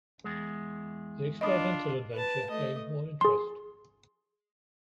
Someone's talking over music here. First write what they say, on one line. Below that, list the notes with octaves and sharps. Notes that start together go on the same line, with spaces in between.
The experimental adventure gained more interest.
E2 G#3
D4 F4 D#5 B5 D#6
B4 A5
A3 D#5
G#4 C6